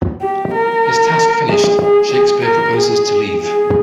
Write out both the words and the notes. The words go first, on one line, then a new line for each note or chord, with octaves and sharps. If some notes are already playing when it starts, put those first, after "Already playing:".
His task finished, Shakespeare proposes to leave.
G4
A#4
G#4
G#4
G#4
A#4
G#4
G#4